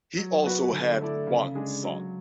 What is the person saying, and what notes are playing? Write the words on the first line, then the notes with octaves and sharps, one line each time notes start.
He also had one son.
F#3
B3 F#4 B4
D3
A3 E4 A4 D5
C#3
G#3 D4 G#4
F#3